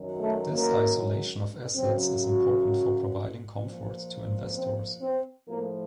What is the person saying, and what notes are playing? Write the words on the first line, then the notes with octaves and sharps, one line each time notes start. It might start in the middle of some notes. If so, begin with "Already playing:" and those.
This isolation of assets is important for providing comfort to investors.
Already playing: F#2 D#3 F#3
A3
A#3
F#2 C#3 F#3 C4
F#4
A#2 F3
C4
C4
A2 F3 A#3